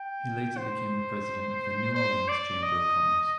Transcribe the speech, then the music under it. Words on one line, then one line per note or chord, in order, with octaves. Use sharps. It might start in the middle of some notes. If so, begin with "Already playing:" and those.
He later became the president of the New Orleans Chamber of Commerce.
Already playing: G5
C5
C5
D5
D#5